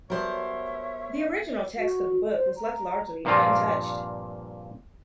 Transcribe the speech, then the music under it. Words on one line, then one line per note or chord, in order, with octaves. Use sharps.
The original text of the book was left largely untouched.
F#3 G3 B3 A#4 C5 C#5 E5 A5
F#4
C5
A#5
G2 A#2 F3 A#3 C4 F4